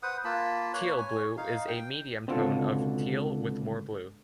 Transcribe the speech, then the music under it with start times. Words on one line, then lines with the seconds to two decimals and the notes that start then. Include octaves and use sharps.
Teal blue is a medium tone of teal with more blue.
0.03 B4 C5 F#5 D#6
0.25 A#3 F4 A5 B5
0.73 A#3 B4 C#5
0.98 C#5 G#5
1.37 D#4 F5
1.68 G5
2.28 C#2 B2 D3 C4 F4 A4